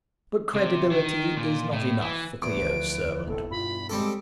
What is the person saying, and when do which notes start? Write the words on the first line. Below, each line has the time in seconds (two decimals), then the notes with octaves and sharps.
But credibility is not enough for Clio's servant.
0.55 C3
0.91 D#3
1.36 A#2
1.72 A2
2.01 E3
2.42 E2 B4 D7
2.57 D2 F3 A3
3.27 F1 A#1 A4
3.51 G2 B2 F4 B5
3.89 G3 G#3 C4 A4 D6